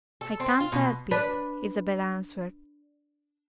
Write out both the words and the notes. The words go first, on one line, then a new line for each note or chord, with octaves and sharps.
"I can't help it," Isabel answered.
A4
C4
F4
B2
D4 B4